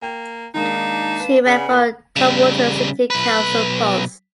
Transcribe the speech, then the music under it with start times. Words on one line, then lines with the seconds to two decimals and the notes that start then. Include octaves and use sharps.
She ran for Tumwater City Council Pos.
0.02 A#3 G5
0.54 D#3 G#3 A#3 D4 D#4 F5 A5
1.20 B4
1.46 C#3 B4 D5 F#5 G#5 B5
1.68 A#2
2.16 C#3 G3
3.10 B1 B4